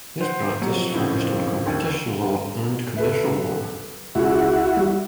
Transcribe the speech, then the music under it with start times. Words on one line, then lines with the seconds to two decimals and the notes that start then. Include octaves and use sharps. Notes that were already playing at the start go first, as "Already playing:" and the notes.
His practice focused on competition law and commercial law.
0.21 C5 F#5
0.62 A#1 F2 F#3 G3
0.94 C#2 A2 E3
1.66 D#2 D3 G5
2.97 A4 B4 E5
4.15 C#2 E4 F#4 G#4
4.77 G3